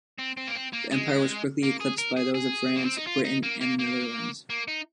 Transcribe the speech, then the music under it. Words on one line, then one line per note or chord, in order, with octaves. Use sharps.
The empire was quickly eclipsed by those of France, Britain and the Netherlands.
C4
C4
A#3
C4
A#3
G#3
A#3
G#4
A#4
G#4
G#4
A#3
C4
D#4
F4
D#4
A#3
A#3
A#3
A#3
D#4